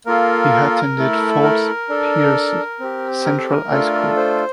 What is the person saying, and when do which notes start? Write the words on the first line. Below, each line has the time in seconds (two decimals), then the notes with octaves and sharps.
He attended Fort Pierce Central High School.
0.06 A#3 F4 A4 A#4
0.98 A3 E4 A4
1.43 A#4
1.89 D4 A4
2.80 C4 G4
3.25 A#4
3.38 A4
3.51 A#4
3.70 A3 D4 F4 A4
4.16 C5